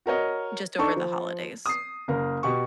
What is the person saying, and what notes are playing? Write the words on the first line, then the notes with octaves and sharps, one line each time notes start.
just over the holidays?
F#4 A#4 C#5 D#5
D4 D#4 A4 C#6
F3
D#6 C7
F#1 A#4
B2 G4 C#6